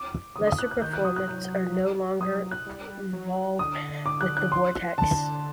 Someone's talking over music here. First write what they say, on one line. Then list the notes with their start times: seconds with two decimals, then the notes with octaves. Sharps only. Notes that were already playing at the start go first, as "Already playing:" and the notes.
Laser Performance are no longer involved with the Vortex.
Already playing: D6
0.35 D3 D#6
0.47 D#6
0.58 F#6
0.71 F#6
0.82 D#3 G6
0.93 F#6
1.00 D#3
1.05 F#3 D#6
1.16 F#6
1.28 G6
2.20 F#3 D#6
2.51 F#6
2.67 G3
3.13 F#3
3.59 D3 D#6
4.06 D6
4.21 F#6
4.37 F#6
4.52 C6
4.98 D3 A5